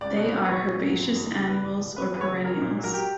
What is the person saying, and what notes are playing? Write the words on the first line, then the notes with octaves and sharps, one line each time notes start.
They are herbaceous annuals or perennials.
C#2 D5
B2
F#3
B4
A#1 C#5
A#2
F#3
F#1
E2
C#3
F#1 B4
E2
B2
E1 B4
E2 B4
C#5
C#3
A#1 A#4
A#2
F#3
A#4
G4